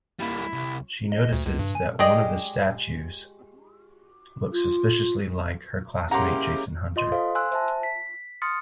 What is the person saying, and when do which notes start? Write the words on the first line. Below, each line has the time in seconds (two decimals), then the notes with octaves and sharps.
She notices that one of the statues looks suspiciously like her classmate Jason Hunter.
0.19 G3 A#3 E4
0.53 C2
1.12 D#5
1.33 D2
1.46 C#2
1.59 G2
1.75 G#5
1.99 G#3 G4 D5 D#5
4.53 F4
6.11 G#3 A#3 C#4 E4 G4 F#5 A#5 C6
6.96 F4 D#5 C6
7.12 A4 C5 F5
7.35 G#5 C6 E6 F#6
7.51 C5 E5 A5
7.83 B6
8.42 C6 D#6 F6 A6 C#7